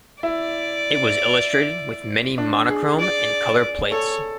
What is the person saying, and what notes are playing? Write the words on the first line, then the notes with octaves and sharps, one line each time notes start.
It was illustrated with many monochrome and colour plates.
E4 D5
D4
G#4
D5
A4 C#5